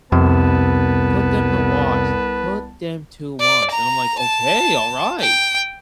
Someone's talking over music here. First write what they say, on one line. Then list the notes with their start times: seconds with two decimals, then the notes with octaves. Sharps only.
"Put them to wash, put them to wash." And I'm, like, "Okay, all right."
0.12 C2 F2 C3 B3 B4 A5
3.40 D5
3.71 A#5
4.20 A5
5.21 G5